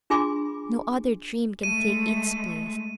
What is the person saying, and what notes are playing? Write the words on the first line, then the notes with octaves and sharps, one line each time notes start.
No other dream can take its place.
D4 F4 G#4 G#5 C6 D6
G#3 A3 D#7